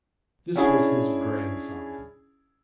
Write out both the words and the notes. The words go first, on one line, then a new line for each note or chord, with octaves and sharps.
This was his grandson.
C#4 D4 E4 G#4